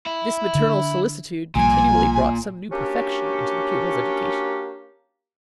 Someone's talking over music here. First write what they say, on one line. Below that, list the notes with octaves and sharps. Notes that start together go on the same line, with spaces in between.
This maternal solicitude continually brought some new perfection into the pupil's education.
E4
D3 D4
B1 A#2 F3 G3 G#5
A#3 C#4 D4 F#4 G4